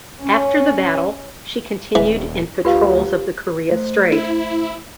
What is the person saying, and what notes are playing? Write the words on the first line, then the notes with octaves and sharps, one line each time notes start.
After the battle, she continued in patrols of the Korea Strait.
C#4
D#1 E3
D2 F4 G4 B4 F5
A3 C5
E4